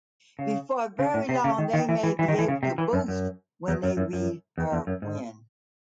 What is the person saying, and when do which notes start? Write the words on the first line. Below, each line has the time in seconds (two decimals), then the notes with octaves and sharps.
Before very long they may be able to boast that they read her when.
0.39 C#3
0.99 C#3
1.14 A2
1.29 C3
1.44 C#3
1.58 D#3
1.73 D#3
1.89 E3
2.03 E3
2.19 E3
2.28 D#3
2.39 E3
2.48 C#3
2.63 C3
2.78 E3
2.93 F#2
3.08 F#2
3.68 E2
3.83 F#2
3.97 F#2
4.13 F#2
4.58 E2
4.72 E2
4.87 F#2
5.02 G#2